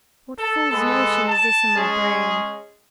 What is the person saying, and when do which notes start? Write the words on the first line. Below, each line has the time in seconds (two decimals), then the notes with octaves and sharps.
What fool's notion is this in my brain?
0.38 A4
0.70 G#3 B3 A4
1.26 A5
1.76 G#3 C#4 G#4